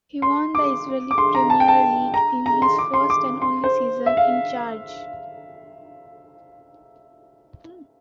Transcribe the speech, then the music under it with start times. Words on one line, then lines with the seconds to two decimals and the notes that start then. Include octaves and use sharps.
He won the Israeli Premier League in his first and only season in charge.
0.22 C6
0.55 D6
1.11 D6
1.18 C6
1.35 A#5
1.50 A5
1.60 G5
1.68 A5
2.14 A#5
2.46 A#5
2.62 C6
2.78 D6
2.94 C6
3.10 D6
3.42 C6
3.64 C5
4.06 E5
4.17 F5